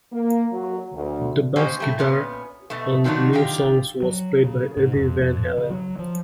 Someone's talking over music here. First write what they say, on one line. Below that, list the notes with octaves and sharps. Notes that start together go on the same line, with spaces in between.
The bass guitar on the new songs was played by Eddie Van Halen.
A#3
F#3
D2
A#3 C#4 G4 C5 D#5
G3 A3
A#2 B3 C#4
B2 A3
D#3 F3 F#3 A3 D4 D#4
D3 D#3 F4 G4
F#3
C#3
G#2
F2
F2
C#3
F#3
F3